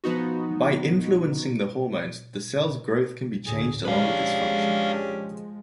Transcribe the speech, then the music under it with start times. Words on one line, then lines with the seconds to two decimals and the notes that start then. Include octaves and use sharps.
By influencing the hormones, the cells' growth can be changed along with its function.
0.04 F3 B3 D#4 F#4
3.46 D2 A2 D3 G#4
3.85 F3 G#3 C#4 D4 G4 B4 F5